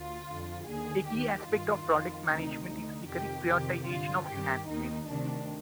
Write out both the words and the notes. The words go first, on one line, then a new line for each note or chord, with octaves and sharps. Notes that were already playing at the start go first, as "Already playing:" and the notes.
A key aspect of Product Management is the correct prioritization of enhancements.
Already playing: D2 F4
F2 D3
D#2 D3 G#4
D#2 D#3 G4
G2 D#3 F4
F2 D#3
D2 C3 D#3 D#4
D2 D3 D#4
F2 C3 D#3 G4
F2 C3 D#3 G4
G2 D3 F4
G2 D#3 G4
D#2 D#3 D#4
D2 C3 D#3 D4